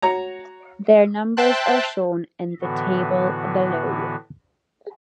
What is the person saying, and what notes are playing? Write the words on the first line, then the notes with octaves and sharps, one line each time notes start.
Their numbers are shown in the table below.
F#4 C#5 A#5
C5 E5 G5 A5 C6 F#6
A2 D3 E3 B3 F#4